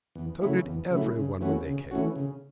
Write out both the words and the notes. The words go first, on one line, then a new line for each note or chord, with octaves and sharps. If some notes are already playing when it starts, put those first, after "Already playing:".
So did every one when they came.
E2
C#3 F#3 A3 E4
E2
C#3 F#3 A3 E4
C#3
E3 A3 C#4 F#4
C#3
E3 A3 C#4 F#4
C#3